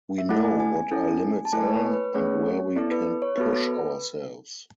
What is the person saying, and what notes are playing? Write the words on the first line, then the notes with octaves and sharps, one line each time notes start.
We know what are limits are and where we can push ourselves.
E5
A3 E4 A4 F#5
G#5
G#5
C#4 E4 A4
A5
A3 E4 A4 G#5
B4
C#5
B4
B4
B4
A3 C#4 G#4 C#5
B3 E4 A4 D5
B4
C#5
B3 F#4 A4 B4
A4
B4